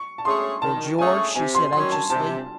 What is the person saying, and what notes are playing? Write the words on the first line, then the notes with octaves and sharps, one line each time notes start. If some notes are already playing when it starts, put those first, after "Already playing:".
"Well, George?" she said, anxiously.
Already playing: C#6
A5
A3 C#4 G#4 C#5 C6
D#3 A5
A3 C#4 G#4 C#5 G#5
C3 G#5
C6
D#3 F#3 C#4 C6
A5
C3 A5